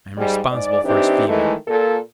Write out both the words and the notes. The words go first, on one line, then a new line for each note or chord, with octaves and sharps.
I am responsible for his fever.
G#2 G3
G#2 D5
E3 C4 D4 D#4 G4
D#3 E3 G#3 A3
A#2 A4